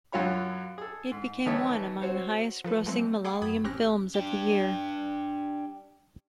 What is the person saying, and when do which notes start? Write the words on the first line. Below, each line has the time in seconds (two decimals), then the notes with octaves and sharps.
It became one among the highest-grossing Malayalam films of the year.
0.12 F#2 F#3 F4 C#5 B5
0.78 G#4 A4
1.11 G#2
1.46 F2 D#3 G#3 B3 C#5 E5
2.01 C4 F#4 C5 C#5
2.64 F3 A4 B4
2.86 F#3 G#3 A3 C4
3.25 G#4 F#5 G5 B5 D6 D#6
3.42 F#2 B5 D#6 G#6
3.64 A1 C4 C#4 G4 F#6 A#6
4.15 D4 G4